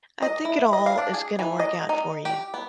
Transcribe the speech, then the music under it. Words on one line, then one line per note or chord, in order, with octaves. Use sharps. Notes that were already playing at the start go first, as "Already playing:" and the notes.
I think it all is gonna work out for you.
D#5
E4
D#5
F5
D4
G#4
E3
D#5
D#4
G4
B3